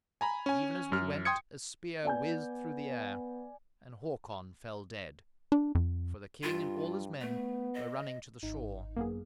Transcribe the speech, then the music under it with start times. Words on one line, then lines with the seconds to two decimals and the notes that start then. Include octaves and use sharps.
Even as we went, a spear whizzed through the air, and Hakon fell dead; for the king and all his men were running to the shore.
0.21 G#5 A#5 B5
0.46 C#4 G#5
0.92 F#2 F6
1.25 G5 C6 D#6 G#6 C#7
2.05 B3 D5 G#5 G6
5.52 D4
5.75 F2
6.43 G2 F4
7.21 A3 B3
7.74 D#5
8.43 G#1 D#4
8.96 F#2 A#3 B3 G#4